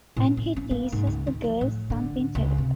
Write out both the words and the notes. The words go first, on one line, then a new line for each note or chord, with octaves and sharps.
And he teases the girls something terrible.
A2
C#4
C#4
A#3
G#2
C#2
D#3
F3
A2
D3
C#2
C3